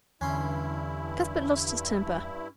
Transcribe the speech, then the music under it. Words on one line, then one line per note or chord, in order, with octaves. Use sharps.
Cuthbert lost his temper.
E2 G2 D3 C#4 E4 C6